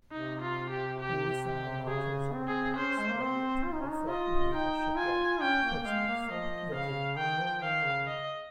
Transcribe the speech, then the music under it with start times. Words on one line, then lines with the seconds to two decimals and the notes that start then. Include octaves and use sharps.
Her missile launchers are now on display at the Norfolk Naval Shipyard, Portsmouth, Virginia.
0.12 C3 D#4
0.42 F4
0.70 G4
1.00 G4
1.45 G4
1.88 C#3 G#4
2.33 C4
2.48 G#4
2.77 C#4 C5
2.99 G#3
3.10 A#3
3.21 C4 C5
3.65 F4
3.73 D#4
3.81 C#4
3.89 D#4
4.09 F4 D#5
4.53 D#4 G5
4.97 F4 G#5
5.42 C#4 G5
5.63 A#3
5.82 A#3
5.86 G#3 F5
6.08 A#3
6.30 F3 D#5
6.74 C#3 F5
7.18 D#3 G5
7.40 F3
7.62 D#3 F5
7.84 C#3
8.07 D#5